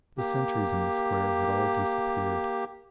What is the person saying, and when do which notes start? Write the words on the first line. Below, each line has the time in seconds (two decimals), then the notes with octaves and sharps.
The sentries in the Square had all disappeared.
0.18 A#3 G4